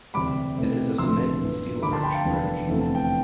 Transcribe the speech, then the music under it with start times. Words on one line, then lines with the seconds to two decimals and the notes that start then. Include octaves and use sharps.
It is a cement and steel arch bridge.
0.14 E1 D2 C3 G3 B5 D6
0.56 C2 B2 A3 C4
0.98 F1 F2 D3 F3 A3 C6 E6
1.41 G2 E3 B3
1.82 D2 D3 F3 B5 D6
1.93 A5 C6
2.03 G5 B5
2.14 F5 A5
2.25 F1 E2 D3 G3 B3
2.67 F1 E2 D3 A3 C4
2.81 A5
2.95 G5